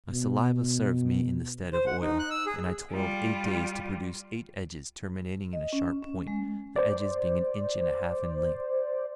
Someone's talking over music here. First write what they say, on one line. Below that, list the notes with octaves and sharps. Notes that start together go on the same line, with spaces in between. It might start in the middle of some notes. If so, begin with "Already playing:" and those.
My saliva served me in the stead of oil, and I toiled eight days to produce eight edges terminating in a sharp point, the edges being an inch and a half in length.
B2
C5
F#5
D#4
F#6
E6
G#4
G3 F4
D#5
C#4
C#4
G#3
C5 D5